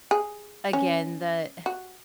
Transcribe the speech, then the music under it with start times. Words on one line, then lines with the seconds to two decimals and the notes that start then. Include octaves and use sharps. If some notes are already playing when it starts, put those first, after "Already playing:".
again, the
0.11 G#4
0.73 C#4
1.66 F#4